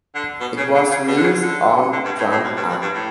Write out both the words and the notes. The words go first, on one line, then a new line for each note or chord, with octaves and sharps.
It was released on Jump Up!
D3
B2
C#3
D3
C#3
B2
D3
C#3
D3
D3
G2
A2
A2
F#2
G2
F#2
G2
A2